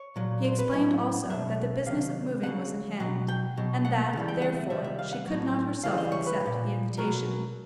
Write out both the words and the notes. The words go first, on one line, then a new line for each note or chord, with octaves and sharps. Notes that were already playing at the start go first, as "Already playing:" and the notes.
She explained also, that the business of moving was in hand, and that, therefore, she could not herself accept the invitation.
Already playing: C#5
A#2 F#3
C5
B4
A2 F#3 D#5
B2 F#3 E5
C3 D#3 F#3 F5
C#3 F3 F#5
B2 F#3
G5
B2 F#3
F#5
C#3 E3 G3
G5
F#5
E5
C3 D#3 G3 E5
E5
F5
F#5
A2 F#3
C#3 E3 G3 F5
D#5
C#5
B4
F3
A#2
B2 F#3 A#4